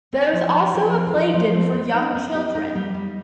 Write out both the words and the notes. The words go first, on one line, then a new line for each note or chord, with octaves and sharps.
There is also a playden for young children.
C4
F3
F3
F3
C4
F3
F3
C4
B3
D#4
B3
G4
D#4
G3
G3